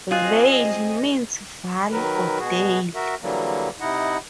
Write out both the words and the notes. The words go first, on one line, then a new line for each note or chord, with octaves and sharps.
"Vale" means valley or dale.
C4 F4 G#4 D#5 F#6
D#3 F#3 A#4 B4
B2 F#4 G#4
F#4 A#4 E5
D3 E3 F#3 G3 A#3
C3 D#4 E4 D#5 F#5